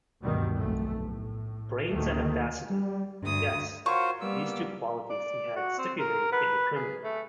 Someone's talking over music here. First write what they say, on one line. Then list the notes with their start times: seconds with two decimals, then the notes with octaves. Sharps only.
Brains and audacity — yes, these two qualities he had stipulated in the criminal.
0.22 D2 G2 B2 D#3 G3
0.54 F1 B1 A3
0.99 A2
1.91 D2 D#3 A3 A#3
2.70 G3
3.22 D2 G2 D#6
3.86 F4 F#4 A#4 C5 C#5 C#6
4.21 G3 A#3 B3 E6
5.10 D5
5.56 F#4
5.78 C4
5.99 A#4
6.32 B4
6.76 G#4
7.04 A3